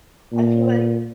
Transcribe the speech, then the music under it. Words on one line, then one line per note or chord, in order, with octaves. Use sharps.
I feel like
A#2